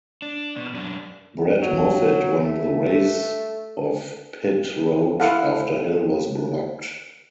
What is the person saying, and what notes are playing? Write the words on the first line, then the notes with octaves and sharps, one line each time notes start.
Brett Moffitt won the race off pit road after Hill was blocked.
D4
B2
F#2 D4
F#3
A3
E4 A4 F5 F#5